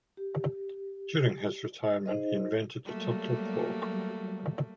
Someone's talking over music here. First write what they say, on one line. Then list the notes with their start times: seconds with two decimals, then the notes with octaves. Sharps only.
During his retirement he invented the "Turtle Clock".
0.17 G4
2.06 D#4 G#4 C5 D#5
2.85 F#3 G3 A3 A#3